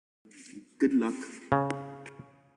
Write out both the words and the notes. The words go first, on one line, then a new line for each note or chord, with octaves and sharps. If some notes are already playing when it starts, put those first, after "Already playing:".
Good luck !
C#3